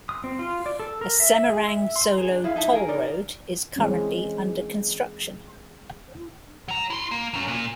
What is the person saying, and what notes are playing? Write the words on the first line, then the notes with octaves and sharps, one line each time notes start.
A Semarang-Solo Toll Road is currently under construction.
D#6
C4
F4
D5
A4
A#4
E5
G#4
E5
C6
G#4
D4
E4 G#4 F5
D#4 E5 A5
G#4 A#4
D#4 A#4 D5
E3 G#3 C4 C#4
F#3 A#5
E4 C6
A#3
F#3 C#4
A#2